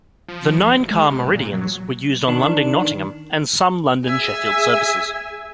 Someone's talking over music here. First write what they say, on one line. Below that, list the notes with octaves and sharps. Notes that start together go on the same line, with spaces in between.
The nine-car "Meridians" were used on London-Nottingham and some London-Sheffield services.
F3
B1
D1
G#3
C3
G1
A#2
F#3
D#3 D4
G#4 E5 G#5